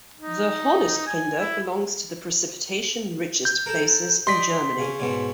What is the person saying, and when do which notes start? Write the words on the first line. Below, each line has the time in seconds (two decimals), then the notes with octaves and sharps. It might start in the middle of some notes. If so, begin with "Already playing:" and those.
The Hornisgrinde belongs to the precipitation-richest places in Germany.
0.20 D#4
1.07 G#5
1.40 E4
3.45 G6
3.66 A4 A#4
4.27 D5 D#5 C6 B6
4.78 C#3 C#4
4.99 G#2 B2 C#4